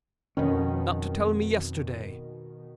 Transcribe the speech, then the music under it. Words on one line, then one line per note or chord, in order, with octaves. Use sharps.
Not to tell me yesterday!
F2 B2 D#3 C#4